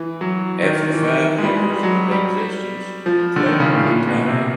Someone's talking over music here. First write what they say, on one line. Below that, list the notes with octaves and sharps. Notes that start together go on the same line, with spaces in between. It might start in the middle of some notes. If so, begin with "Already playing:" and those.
After five years of existence, the club retired.
Already playing: E3
F#3
D#3
D#3
E3
D#3
G#3
G3
G#3
G3
F#3
G3
F3
D3
D#3
C#3
A2
A#2
B2
C3